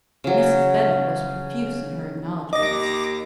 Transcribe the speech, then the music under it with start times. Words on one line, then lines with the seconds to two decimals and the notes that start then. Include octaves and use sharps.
Mrs. Bennet was profuse in her acknowledgments.
0.24 C#3 F#3
2.53 D#2 D#5 D6 A#6